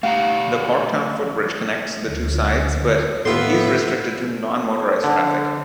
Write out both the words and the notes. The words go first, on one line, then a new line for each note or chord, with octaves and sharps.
The Corktown Footbridge connects the two sides, but is restricted to non-motorized traffic.
A3 G4 F5 F#5 A#5
D2
D#2 A2 B3 F4 A4 E5 C6
D3